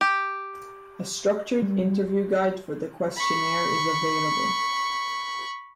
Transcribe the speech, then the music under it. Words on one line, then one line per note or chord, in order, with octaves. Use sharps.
A structured interview guide for the questionnaire is available.
G4
G3
B5 C#6